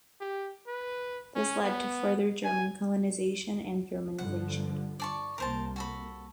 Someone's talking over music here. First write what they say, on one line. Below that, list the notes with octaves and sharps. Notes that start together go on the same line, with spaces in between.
This led to further German colonization and Germanization.
G4
B4
C#4
B3
G#5
G2 D3 F3 F#5
D5 A5 C#6
C2 A#3 A#4 C5 A5
F#4 A4 B5